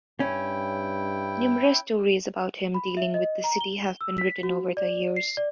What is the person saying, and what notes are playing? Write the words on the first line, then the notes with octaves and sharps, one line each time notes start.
Numerous stories about him dealing with the city have been written over the years.
G2 C#4 E4 G5
B5
E5
D#5
A#5
G7
E6
B6
F#4
D5
C7
D5